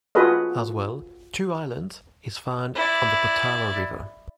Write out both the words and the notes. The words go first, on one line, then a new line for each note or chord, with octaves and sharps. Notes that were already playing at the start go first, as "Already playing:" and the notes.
As well, 'Two Islands' is found on the Potaro River.
F4 F#4 G#4 A4 B4 D#5
E4 D5